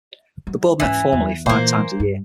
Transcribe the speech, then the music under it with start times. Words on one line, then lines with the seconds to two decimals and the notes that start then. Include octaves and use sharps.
The Board met formally five times a year.
0.47 F#3
0.80 G#2 E3 C#4
1.12 E2
1.46 A#2 E3 A#3 C5
2.00 G2